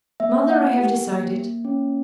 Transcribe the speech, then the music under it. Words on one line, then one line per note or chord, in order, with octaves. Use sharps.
Mother, I have decided!
A#3 E5
E4 F#5
G4
A#3
A#3
C#4